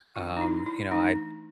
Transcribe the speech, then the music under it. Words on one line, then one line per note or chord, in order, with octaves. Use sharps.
um, you know, I
D#3 F#3 B3 D4 F4
D#4
E4
E4
E3 A3 D4 D#4